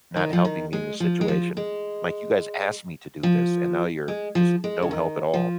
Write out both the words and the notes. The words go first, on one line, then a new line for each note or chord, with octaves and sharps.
not helping me in this situation. Like, you guys asked me to do this, and now you're just no help at all."
D#3
F3
D#3
G#3
F3
G#3
F3
G#3
F3
G#3
F3
G#3
C#3
D#3
F3